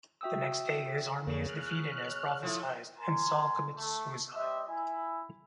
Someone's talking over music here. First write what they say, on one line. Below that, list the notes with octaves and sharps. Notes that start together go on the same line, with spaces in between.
The next day, his army is defeated as prophesied, and Saul commits suicide.
F#4 E5 G5 D#6 E6
F2 C#3 A#3
F6 F#6
F3 A3 E4
A#4 G#5 C6
A3 A4
G3 C4 D#5 E5
E4 G#5